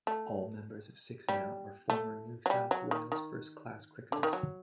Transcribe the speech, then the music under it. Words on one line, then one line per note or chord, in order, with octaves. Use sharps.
All members of Six and Out are former New South Wales first-class cricketers.
A3
G3
A3
F#3
G3
F#3
D#3
D#3
D3
D#3
F#3